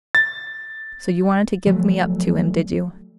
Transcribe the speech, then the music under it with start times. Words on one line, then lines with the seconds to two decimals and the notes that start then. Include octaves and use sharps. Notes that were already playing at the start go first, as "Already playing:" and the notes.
So you wanted to give me up to him, did you?
0.15 A6
1.67 F3 F#3 A3